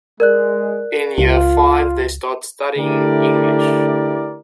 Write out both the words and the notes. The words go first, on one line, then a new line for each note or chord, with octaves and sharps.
In year five they start studying English.
G#3 A#4 D5 F#6
C#2 F4
D3 A3 E4 G4 A#4 D5